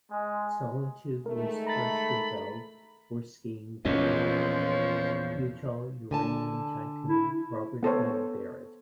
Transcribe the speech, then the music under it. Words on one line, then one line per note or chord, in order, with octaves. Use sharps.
Solitude was first developed for skiing by Moab, Utah uranium tycoon Robert M. Barrett.
G#3
D#3 G#3 A3 A#4
A#5 B5 A6
E2 A#2 F3 C#4 C#5 D#5
D3 G#5 A5
E4
B3 A4 C5 C#5